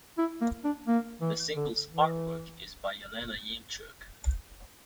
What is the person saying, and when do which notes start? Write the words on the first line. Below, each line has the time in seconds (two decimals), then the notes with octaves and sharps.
The single's artwork is by Yelena Yemchuk.
0.18 E4
0.41 A#3
0.64 D4
0.88 A#3
1.22 E3
1.56 D3
1.90 E3